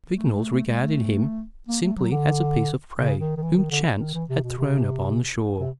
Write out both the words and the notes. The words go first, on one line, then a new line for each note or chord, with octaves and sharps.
Vignolles regarded him simply as a piece of prey whom chance had thrown up on the shore.
A3
G#3
A3
A3
G#3
A3
A#3
A3
F#3
D3
C#3
D#3
D#3
E3
D#3
D3
D#3
E3
C3
B2
C3
C3